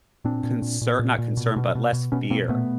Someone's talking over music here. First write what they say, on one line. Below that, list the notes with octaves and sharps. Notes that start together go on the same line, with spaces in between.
concer not concern, but less fear
A#2 C4 D4
A#2
A#2
A#2
A#2
A#2
B2
B2
B2
B2
B2 B3 C#4
B2 A#3 C4
A#2 A3 B3